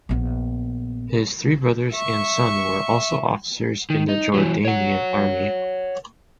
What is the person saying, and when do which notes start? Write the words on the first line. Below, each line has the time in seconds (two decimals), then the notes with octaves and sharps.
His three brothers and son were also officers in the Jordanian army.
0.09 A#1 B3
1.91 E5 C#6
3.90 D#3
4.09 D#4
4.34 E3 F#3
4.65 C#5 F#5